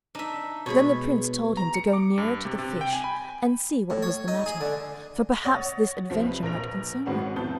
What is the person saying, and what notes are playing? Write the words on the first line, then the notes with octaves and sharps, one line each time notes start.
Then the Prince told him to go nearer to the fish, and see what was the matter, for perhaps this adventure might concern him.
D4 D#4 E5
B2 G#3 C#5 B5
A#5
C#7
D6
G2
C3
C3
G5
G#5
B5
A2
C#5
D#4
G#4
D3
C#5 F#5 D#6 A6 A#6
C2 F3 B6
B4
A#1 A#4 A#6 F7
G#1 G#2 C#4 F#4 B4 F#5
F2 A2 F#3 B3 A5 G6